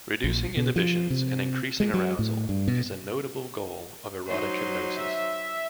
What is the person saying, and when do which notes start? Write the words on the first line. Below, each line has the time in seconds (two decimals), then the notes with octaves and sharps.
Reducing inhibitions and increasing arousal is a notable goal of erotic hypnosis.
0.24 A#1
0.57 B2
0.76 F3
1.10 C3
1.80 G#3
1.94 F#3
2.19 A2
2.49 G2
2.68 B2
4.27 F#3 D#4 C5
4.97 E5